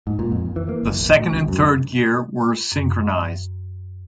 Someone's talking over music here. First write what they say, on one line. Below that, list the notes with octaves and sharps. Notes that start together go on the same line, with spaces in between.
The second and third gear were synchronized.
G#2
A#2
F2
E3
A#3
F#1
A#1
D2
C#2
F#2
F#2